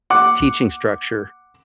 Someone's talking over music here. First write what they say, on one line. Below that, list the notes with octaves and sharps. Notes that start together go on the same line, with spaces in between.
teaching structure.
F#5 D6